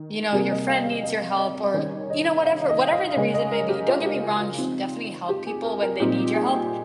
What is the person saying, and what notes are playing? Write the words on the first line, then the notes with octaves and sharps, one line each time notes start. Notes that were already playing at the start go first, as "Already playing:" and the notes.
you know, your friend needs your help or you know, whatever whatever the reason may be, don't get me wrong, you should definitely help people when they need your help,
Already playing: D#3
C3 G3 A#3 G#4
D#5
F5
F5
D#5
D#5
D#3 G3 C#4 C#5
D#5
F5
D#5
F5
C#3 G#3 C#4 D#5
D#5
A#4
G4
F4
G4
G#4
F4
F3 C4 D#4
G4
G#4
A#4
A#4
A#2 G3 C4 D#4 G4
G#4